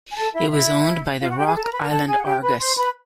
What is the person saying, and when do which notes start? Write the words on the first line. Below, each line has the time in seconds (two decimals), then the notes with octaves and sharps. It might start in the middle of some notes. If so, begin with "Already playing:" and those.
It was owned by the Rock Island Argus.
0.11 G#5
0.16 A4 A5
0.34 E4 E5
0.46 F5
0.51 E4 E5
1.20 F4 F5
1.29 F#4 F#5
1.38 G4 G5
1.47 G#4 G#5
1.55 A4 A5
1.64 A#4 A#5
1.72 B4 B5
1.81 A#4 A#5
1.90 A4 A5
2.07 G#4 G#5
2.18 F#5
2.25 G4 G5
2.42 B4 B5
2.60 C5 C6
2.77 B4 B5